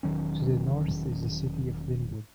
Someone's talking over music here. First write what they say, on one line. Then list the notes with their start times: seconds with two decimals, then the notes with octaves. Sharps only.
To the north is the city of Lynwood.
0.03 E1 D#3 F#3 C#4